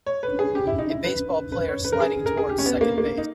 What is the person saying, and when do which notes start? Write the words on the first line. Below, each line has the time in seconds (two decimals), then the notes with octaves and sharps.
A baseball player sliding toward second base.
0.06 C#5
0.23 B4
0.39 G#4
0.55 G4
0.67 E4
0.78 D#4
0.90 E4
1.04 B4
1.52 B4
1.68 C#5
1.84 B4
1.92 A#4
2.00 G#4
2.26 A#4
2.37 G#4
2.49 G4
2.58 C#4
2.66 B3
2.81 A#3
2.98 A#3
3.18 D#4